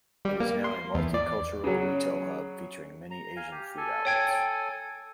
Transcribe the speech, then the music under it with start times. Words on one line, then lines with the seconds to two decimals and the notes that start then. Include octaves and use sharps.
It is now a multi-cultural retail hub featuring many Asian food outlets.
0.25 G3
0.40 A#3
0.64 C6
0.94 E2
1.14 D5
1.64 C#3 F#3
3.11 A#5
3.36 F5 G#5
3.52 G4
3.77 A4 G#5
4.05 C#5 G5 G#6